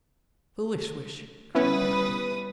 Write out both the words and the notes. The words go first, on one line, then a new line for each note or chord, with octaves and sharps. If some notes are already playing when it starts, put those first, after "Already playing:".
"A foolish wish," cried Bryan.
G3 B3 C#4 E4 B4 D#6